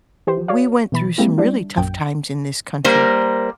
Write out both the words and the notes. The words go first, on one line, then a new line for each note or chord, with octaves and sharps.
we went through some really tough times in this country,
E3 G4 C5
F#4 C#5 D5 F5
B2 E3 B5 A6
G3 G#3 A#3 C4 E4
G3 D4 E4
A#1 F#2 G5
G3 A#3 A#4 C5